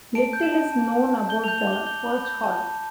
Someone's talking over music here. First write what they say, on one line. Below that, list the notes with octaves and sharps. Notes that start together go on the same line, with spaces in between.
Little is known about the first hall.
A5 D7
G6
E7
A5
A5
A5
A5
G6 G7
G6 F7
F7
D6
G7
G6 G7
B5
G6
A5
A5